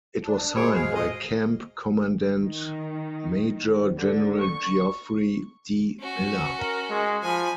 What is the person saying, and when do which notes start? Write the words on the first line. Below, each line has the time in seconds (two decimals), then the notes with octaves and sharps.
It was signed by camp commandant Major General Geoffrey D. Miller.
0.23 D4
0.56 A2 G#3 F#4 G#4 C5 C#5 B5 D7
0.76 F5
0.95 D#2 A#2 D#5
2.38 D#3
3.98 D3
4.40 C#6
6.00 C#4 F#4
6.59 A#4
6.90 G#3
7.23 F3 G#5 B5